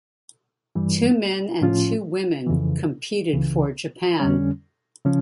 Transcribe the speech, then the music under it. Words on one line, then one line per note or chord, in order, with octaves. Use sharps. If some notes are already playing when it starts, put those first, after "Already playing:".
Two men and two women competed for Japan.
G2 E3 G3
A2 F3 C#4 F4
F2 C#3 E3
C#2 C#3 E3
F2 D3 G3 C#4
C#3 F3 C#4